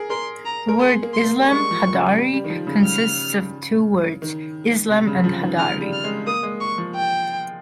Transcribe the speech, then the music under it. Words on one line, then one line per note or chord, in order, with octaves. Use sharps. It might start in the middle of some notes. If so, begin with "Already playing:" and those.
The word Islam Hadhari consists of two words, Islam and Hadhari.
Already playing: G#4 A#4
A#4 C6
A#5
A#4
G#4 C6
A#3
C6
A#3
G3
G#3 C#6
F3
C#3
G3
G3
D#3
F3
C#3
F6
D#3
C3
C#3
F3
D#3
C#3 F6
G3
F6
G#3
A#3 D#6
G#3
C#6
F3
G5